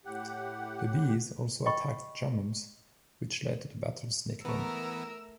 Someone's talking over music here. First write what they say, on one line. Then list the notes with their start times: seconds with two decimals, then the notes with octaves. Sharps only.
The bees also attacked Germans, which led to the battle’s nickname.
0.05 A2 G4 F#5
1.66 D#5 G5 B5 C#6
4.45 E3 A3 B3 E4 A#4 E6